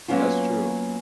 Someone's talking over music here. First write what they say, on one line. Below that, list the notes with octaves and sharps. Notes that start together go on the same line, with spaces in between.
That's true.
F#3 A#3 B3 C#4 F4